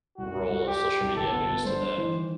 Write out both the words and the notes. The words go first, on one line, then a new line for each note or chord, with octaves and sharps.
role of social media news today?
C2 F#4
C2
G3
G3 G4
G3
C2
G1 A4
B3
G1
G2 C5
G2
E3
D#3